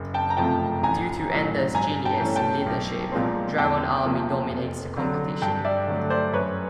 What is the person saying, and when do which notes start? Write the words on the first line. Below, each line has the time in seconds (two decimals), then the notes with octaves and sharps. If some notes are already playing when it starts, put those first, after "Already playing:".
Due to Ender's genius in leadership, Dragon Army dominates the competition.
Already playing: F#1
0.14 G5 A5
0.30 A#5
0.37 F2 C3 F3 A3 G5 A5
0.83 A1 G#5 A#5
1.29 A2 F#3
1.75 G2 G#5 A#5
2.05 G5 A5
2.21 E3 A3 C#4
2.36 G5 A5
2.66 B1
3.12 A#2 F3 G#3 C4
3.58 E2 G5 A5
4.04 C3 F3 A#3
4.50 F1
4.96 F2 D3 F#3
5.42 G2 G5 A5
5.65 D5 E5
5.88 D3 F#3 A3
6.10 C5 D5
6.33 F#2 B4 C#5